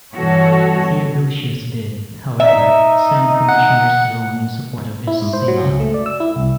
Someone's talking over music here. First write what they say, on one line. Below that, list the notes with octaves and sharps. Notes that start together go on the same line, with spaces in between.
Theodosius did, however, send commissioners to Rome in support of his synod.
G2 B2 E3 F#4 A4 C#5
D#4 E5
F#5
E4
G#2
C5
F#3
C#2
A3
D5
E6
E4
C2